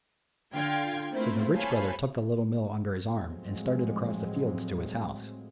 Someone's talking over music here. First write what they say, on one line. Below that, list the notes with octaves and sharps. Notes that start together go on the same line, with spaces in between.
So the Rich Brother took the Little Mill under his arm and started across the fields to his house.
D3 F4 F5 G5 G#6
A3 A#3 C4 E4 F4
A4 C5 C#5 F5 G#5 B5
A2 F3 F#3 G#3 C4